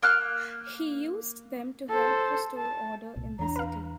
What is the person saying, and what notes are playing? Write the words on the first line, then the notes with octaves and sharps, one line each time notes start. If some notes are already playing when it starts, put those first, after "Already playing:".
He used them to help restore order in the city.
A#3 F6 F#6
A4 C5
A5
C2 A#2
E2 E3 D4 A#5
B4 F5